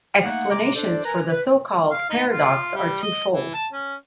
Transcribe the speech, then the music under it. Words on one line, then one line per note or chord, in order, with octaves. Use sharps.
Explanations for the so-called paradox are two-fold.
A3 A#3 D#4 F#5
C3 G#3 A#5 D6
D4 A4 C5 D5
A#4 B4 G#5 A#5
B4
F5
D#4
F4
G3
D#5
E3
A5
C#4